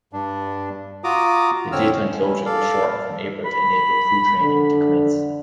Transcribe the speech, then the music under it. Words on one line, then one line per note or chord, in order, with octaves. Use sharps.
The daytime closures were shortened from April to enable crew training to commence.
G2 D4
F4 F#4 A#5 D6 D#6
F2 D3 C4 C#5 E6 F6
C#4
A4 D5 F5
B5
D3